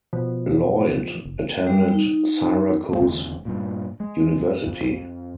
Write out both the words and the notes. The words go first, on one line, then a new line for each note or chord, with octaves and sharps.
Lloyd attended Syracuse University.
B2 F3
F#1
G3
D#4
F1 E2 D3 G#3
G2 A#2
G#3
F2